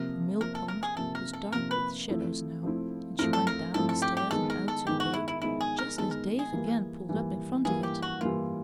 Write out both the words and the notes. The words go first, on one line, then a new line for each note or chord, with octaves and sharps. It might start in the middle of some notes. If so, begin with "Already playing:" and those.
The millpond was dark with shadows now, and she went down the stairs and out to the gate just as Dave again pulled up in front of it.
Already playing: C3 F3 A#3 A#4
C3 F3 A#3 A#4
A4
A#4
G#4
C3 F3 A#3 A4
A#4
A4
C3 F3 A#3 A#4
B4
F3 A3 C4 E4
F3 A3 C4 E4
F3 A3 C4 E4 A#4
A4
A#4
F3 A3 C4 E4 A4
A4
G4
G4
D#3 G#3 B3 A4
A#4
A4
D#3 G#3 B3 G4
F#4
E4
E4
D#3 G#3 B3 E4
G#4
A#4
D#3 G#3 B3 A4
A#4
G#4
E3 G3 A#3
E3 G3 A#3
E3 G3 A#3 G#4
G4
F#4
E3 G3 A#3 F4